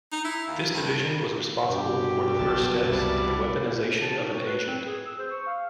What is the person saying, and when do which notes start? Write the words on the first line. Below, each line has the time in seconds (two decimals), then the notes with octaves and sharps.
This division was responsible for the first steps in the weaponization of an agent.
0.12 D#4
0.25 E4
0.47 D#2
0.73 G2
1.70 G2 B2 D4 F#4 G4
2.39 F#1 B1 G2 B3 A5 A6
2.83 C2 F#2 C#3 G3 D4 E4
4.02 A5
4.19 D#4
4.31 F#4
4.45 B4
4.67 C4
4.86 G#4
5.07 E6
5.19 C5
5.31 C#6
5.47 F5